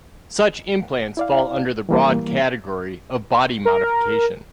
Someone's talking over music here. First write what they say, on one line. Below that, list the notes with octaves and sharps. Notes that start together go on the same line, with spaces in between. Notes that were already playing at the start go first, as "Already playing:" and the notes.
Such implants fall under the broad category of body modification.
E4 D5 F5
E3 G3 A#3
A#4